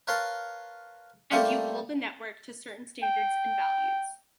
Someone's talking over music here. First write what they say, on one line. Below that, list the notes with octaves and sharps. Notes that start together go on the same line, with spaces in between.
And you hold the network to certain standards and values.
A#4 B4 C#5 F5 A5 C6
G3 A3 A#3 F4 G4 A4
G5